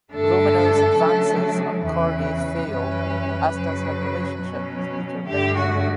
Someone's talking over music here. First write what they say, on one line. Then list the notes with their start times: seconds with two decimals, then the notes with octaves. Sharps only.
Romano's advances on Corday fail, as does her relationship with Peter Benton.
0.12 G2 D3 A3 D4 A4
0.98 C#3 F#3 A3 D4
1.84 E2 C#3 E3 B4
2.70 F#2 E3 G3 C#4
3.55 F#2 C#3 F#3
4.41 B2 F#3 C#4
5.27 G2 D3 A3 G4
5.56 F#4